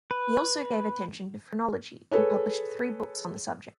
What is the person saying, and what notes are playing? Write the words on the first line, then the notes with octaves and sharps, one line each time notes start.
He also gave attention to phrenology, and published three books on the subject.
B4
G#4 A4 B4 C#5